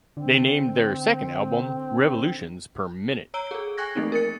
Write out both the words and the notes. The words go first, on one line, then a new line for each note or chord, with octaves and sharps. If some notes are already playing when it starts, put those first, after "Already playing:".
They named their second album "Revolutions Per Minute".
D3 C4
C#5 A#5 E6 D7 G7
G#4 A4
G5 G#5 C#6 F#6 G#6 A#6
E3 F3 A3 A#3 C4 D#4
A#4 A6 C#7